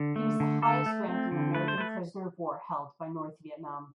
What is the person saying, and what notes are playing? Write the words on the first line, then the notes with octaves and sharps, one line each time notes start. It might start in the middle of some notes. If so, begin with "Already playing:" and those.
He was the highest ranking American prisoner of war held by North Vietnam.
Already playing: D3
A3
D3
A3 A4
A3
C4
D3
A3 B4
C5
A3 B4